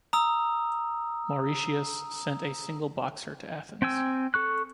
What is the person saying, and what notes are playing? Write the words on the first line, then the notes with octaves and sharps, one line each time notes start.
Mauritius sent a single boxer to Athens.
A#5 D#6 E6
C4 G5 G#5 E6
A4 C#6 F#6